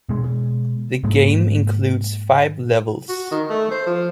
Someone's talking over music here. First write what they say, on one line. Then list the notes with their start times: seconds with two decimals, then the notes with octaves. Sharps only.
The game includes five levels.
0.09 B2 G#3
1.04 G#2 G#3 A#3
3.09 F#4
3.31 D#3
3.50 A3
3.71 C5
3.87 F3